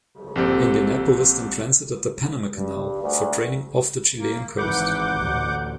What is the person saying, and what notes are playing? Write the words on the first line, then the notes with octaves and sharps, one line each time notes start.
"Indianapolis" then transited the Panama Canal for training off the Chilean coast.
A#1 C4 G4 A4
G2
D2
A#3
G#1 E3 F#5 D6 G6
A1 D2